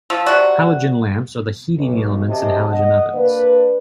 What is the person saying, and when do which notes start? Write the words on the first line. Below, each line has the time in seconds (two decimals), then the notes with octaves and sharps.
Halogen lamps are the heating-elements in halogen ovens.
0.10 F3 E6
0.26 C3 F#4 D5
1.77 B1
2.28 F#2 C3 D#5 A5
2.72 D#5 F#5
3.14 A#3 D4 B4